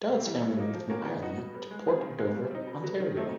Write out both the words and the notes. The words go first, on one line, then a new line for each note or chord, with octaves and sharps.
Dodd's family moved from Ireland to Port Dover, Ontario.
C3
E3 G3
A2
F#3 A#3 D#4
F3
A#3 C#4 F#4 A#4
B3
D#4 F#4
B2
G3 B3
G#3
C4 F4 G#4
D#3
G#3 C4 F4
G3
C4 D#4
B2
F#3 B3
D#3
F#3 A3 C4 D#4